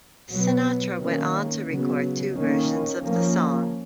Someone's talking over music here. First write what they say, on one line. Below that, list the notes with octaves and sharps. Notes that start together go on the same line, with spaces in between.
Sinatra went on to record two versions of the song.
B2 F#3 B3
D#3 A#3 C#4
C#3 F#3 B3
D#3 A#3 C#4
F3 A#3 C#4